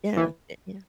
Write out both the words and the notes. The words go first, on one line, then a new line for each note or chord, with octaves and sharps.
Yeah, y yeah,
E3